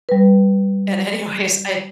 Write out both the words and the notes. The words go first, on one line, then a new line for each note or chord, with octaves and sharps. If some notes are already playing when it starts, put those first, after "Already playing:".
and anyways, I
G3 B4